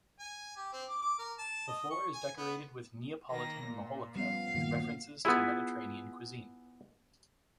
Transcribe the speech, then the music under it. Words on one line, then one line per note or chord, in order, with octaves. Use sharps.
The floor is decorated with Neapolitan majolica with references to Mediterranean cuisine.
G#5
G4
C4
D6
D6
A#4
A5
D#5
C#6
G#5
B3
D#3 A#3 A#6
A#2
F3 G3 B3 C#4 F5
G2 A#2 D#3 F#3 A#3
B3 E4 F4 G#4